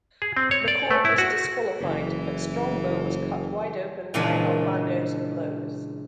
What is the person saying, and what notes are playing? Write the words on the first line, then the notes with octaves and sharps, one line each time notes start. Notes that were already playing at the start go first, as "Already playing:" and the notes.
McCord was disqualified, but Strongbow was cut wide open by Albano's blows.
G#4
C4
C#5
D5
A3
E4
F#4
F#1 E3
A#2 C#3 E3 G#3 D4